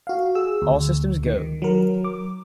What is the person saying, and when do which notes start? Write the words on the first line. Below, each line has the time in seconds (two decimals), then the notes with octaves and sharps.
All Systems Go!
0.07 F#4 F5
0.35 G#4 E6
0.62 D2
1.27 D#3
1.62 F#3 A#4
2.04 D6